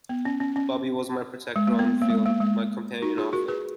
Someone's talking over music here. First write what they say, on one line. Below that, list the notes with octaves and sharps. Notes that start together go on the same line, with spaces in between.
Bubby was my protector on the field, my companion off it.
B3
C#4
C#4
C#4
G#3
A#3
B3
A#3
G#3
A#3
G#3
D#4 F#4
F4 G#4
F#4 A#4
G#4 B4